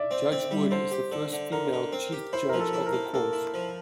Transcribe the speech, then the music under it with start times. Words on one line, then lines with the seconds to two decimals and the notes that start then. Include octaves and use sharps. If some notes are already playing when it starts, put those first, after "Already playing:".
Judge Wood is the first female chief judge of the court.
Already playing: D5 E5
0.11 C4
0.32 C4
0.51 G3
0.71 D3 C5
0.91 G4
1.12 D3
1.32 D3
1.52 D3 A#4
1.73 D3
1.92 C4
2.12 G4
2.33 E4 C5
2.49 F3 A#4
2.60 A4
2.73 E4
2.86 A#4
2.93 A#3
3.13 A#3 A4
3.33 E4
3.54 F3